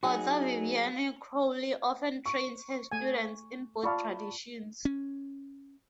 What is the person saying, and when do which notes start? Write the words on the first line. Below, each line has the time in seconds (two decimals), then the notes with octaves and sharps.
Author Vivianne Crowley often trains her students in both traditions.
0.03 F#3 D#4 F#4 G#4
2.26 C#6
2.92 A3 G#5
3.83 F4 D5 F5 A5 B5 C#6
4.85 C#4